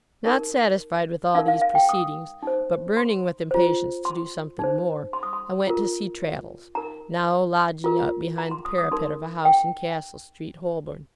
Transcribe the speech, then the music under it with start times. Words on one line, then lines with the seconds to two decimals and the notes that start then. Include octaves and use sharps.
Not satisfied with all these proceedings, but burning with impatience to do something more, I went to see Traddles, now lodging up behind the parapet of a house in Castle Street, Holborn.
0.26 D#4 A#4
1.35 D#4 A#4 F5
1.48 F5
1.61 F5
1.75 G5
1.89 D#6
2.43 D#4 C5
2.97 C6
3.51 F4 C5
4.05 C6
4.59 D#4 C5
5.13 C6
5.23 D#6
5.33 C6
5.67 F4 A#4
6.75 D#4 A#4 A#5
7.84 F4 A#4
8.38 A#5
8.51 C6
8.65 D#6
8.78 D#6
8.91 D#4 A#4 C6
9.45 G5